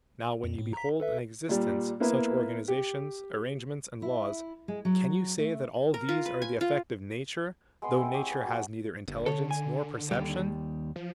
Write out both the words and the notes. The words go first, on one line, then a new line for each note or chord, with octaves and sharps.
Now, when you behold in existence such organizations, arrangements and laws, can you say that all these are the effect of Nature, though Nature has neither intelligence nor perception?
F2
A2
A#5 B6
A4 B4 E5
A#2 G3
A#3 B3 E4 B4
G4
E4
G#3
F#3
A3
A#4
F4
B4
G#5
F4
G#3 B3 C6 D#6
C4 E4
G4 G#4 C#5
B3
F#3 G3
G1
D3 A4 C#5
G#5
D#2 G#2 G3
F3